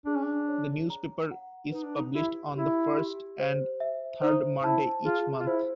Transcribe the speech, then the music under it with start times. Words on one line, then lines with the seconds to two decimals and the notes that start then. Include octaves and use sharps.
The newspaper is published on the first and third Monday each month.
0.06 D4 G#4
0.15 C#4
0.23 D4
0.48 C#5
0.90 A#5
1.31 F#5
1.72 D#4 B4
1.85 D4
1.96 D#4
2.14 E4 G4
2.56 E4 G4
2.98 G4
3.39 C5
3.80 E5
4.22 D#4 C5
4.64 E4 A5
5.05 F4 G#4
5.40 F4
5.47 E4 C5